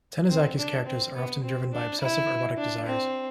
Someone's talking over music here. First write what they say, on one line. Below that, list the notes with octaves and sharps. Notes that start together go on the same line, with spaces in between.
Tanizaki's characters are often driven by obsessive erotic desires.
C4
D4
C4
B3
C4
D4
E4
D4
C4